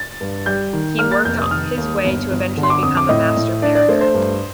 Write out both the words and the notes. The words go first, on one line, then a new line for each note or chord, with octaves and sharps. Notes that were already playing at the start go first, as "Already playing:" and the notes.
He worked his way to eventually become a master mariner.
Already playing: A6
G2
G3 G6
D#3
A#3 F6
A6
F1 G6
D#6
D#3 F6
D#2
G1
G1
D3
C6
D6
F2 D#6
D6
A2 D#5
A2
D4 D5
D5
A3 C5
C5
G2